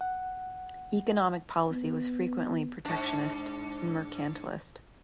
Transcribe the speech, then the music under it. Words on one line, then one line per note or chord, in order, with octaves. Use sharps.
Economic policy was frequently protectionist and mercantilist.
F#5
B3
G#2 D4